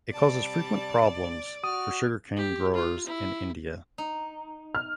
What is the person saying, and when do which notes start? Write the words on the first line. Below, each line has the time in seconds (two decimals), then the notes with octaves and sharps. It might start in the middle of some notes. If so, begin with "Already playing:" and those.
It causes frequent problems for sugarcane growers in India.
0.12 C3 G3 D5 A5
1.64 F#4 D#6 F6
2.36 G4
2.74 F4
3.07 E4
3.98 D#4
4.75 F6